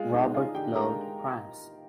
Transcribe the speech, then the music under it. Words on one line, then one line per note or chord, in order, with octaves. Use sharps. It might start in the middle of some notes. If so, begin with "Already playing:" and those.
Robert loved pranks.
Already playing: G#3 F4 F5
D4 D#4 D#5
F4 G#4 F5
D3 G4 G5
G#3 A#4 A#5